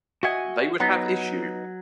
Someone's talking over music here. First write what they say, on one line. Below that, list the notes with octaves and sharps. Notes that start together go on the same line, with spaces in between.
They would have Issue.
F#4 D#5 E5 F#5 G#5
F#3 B3 D#4